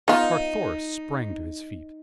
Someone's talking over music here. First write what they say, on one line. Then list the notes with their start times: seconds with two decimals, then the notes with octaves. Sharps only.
Carthoris sprang to his feet.
0.08 B3 D#4 F4